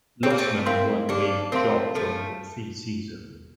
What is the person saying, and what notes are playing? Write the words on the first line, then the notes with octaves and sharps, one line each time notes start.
Losman won the job during the preseason.
C4 G4
A#3
A3 C4
C4 E4 A#4 F5 C6
A#3 D4 G4
A3 C4 A#4 F5 C6
F3 A3 A4